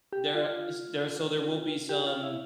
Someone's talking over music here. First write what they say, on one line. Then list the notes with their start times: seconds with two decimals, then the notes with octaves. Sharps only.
there ish there so there will be some
0.13 G4
0.34 F4
1.89 G4
2.07 F4
2.23 E4